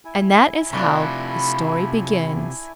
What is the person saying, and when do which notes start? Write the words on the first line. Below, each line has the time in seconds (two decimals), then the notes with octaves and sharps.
And that is how this story begins.
0.05 E4 G#5
0.73 C3 A3 D4 F4 B5